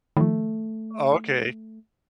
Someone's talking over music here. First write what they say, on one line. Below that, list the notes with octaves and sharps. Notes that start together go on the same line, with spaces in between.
Oh, okay.
D#3 F3 A3